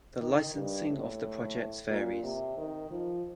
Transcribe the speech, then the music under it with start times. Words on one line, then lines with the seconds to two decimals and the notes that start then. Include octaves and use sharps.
The licensing of the projects varies.
0.21 D#3
0.54 G2
0.89 A2
1.89 A#2
2.23 C3
2.57 D#3
2.91 F3